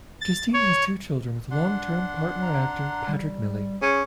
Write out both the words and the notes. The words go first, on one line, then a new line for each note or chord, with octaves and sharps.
Justine has two children with long-term partner actor Patrick Mille.
A6
C#5
D4 F#5 C6
A#5
G3
C#4 G#4